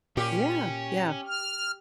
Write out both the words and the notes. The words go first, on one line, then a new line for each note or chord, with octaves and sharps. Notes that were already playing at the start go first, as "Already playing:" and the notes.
Yeah. Yeah.
A#2 C#4 G4
F6